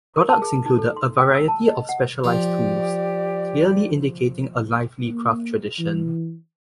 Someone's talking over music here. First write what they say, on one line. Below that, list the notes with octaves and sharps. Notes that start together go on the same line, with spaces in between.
Products included a variety of specialised tools, clearly indicating a lively craft tradition.
A#4
A5
G#4
D#4
A4
C6
G5
E6
A5
D#5
F#5
F3 G4 D5
A#3
E3